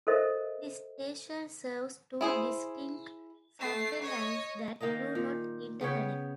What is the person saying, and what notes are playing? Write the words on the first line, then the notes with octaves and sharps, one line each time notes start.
The station serves two distinct subway lines that do not interconnect.
A4 A#4 C5 D#5 E5
E4 G#4 C5
A3 C7
C#5 D#5
D#3 A#3 D#4 D#5
A#2
C#3 B3 C#5 G5